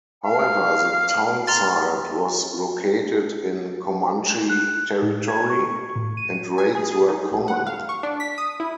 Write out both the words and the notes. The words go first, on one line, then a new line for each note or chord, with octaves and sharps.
However the townsite was located in Comanche territory and raids were common.
F5
A#5 C6 F6 A6
F#6
A2
G#6
C#6
A2
D#7
G#5
G#4
G#4
D#4
A#1
F#5
F5
C#6
D4
B6
D#6
E4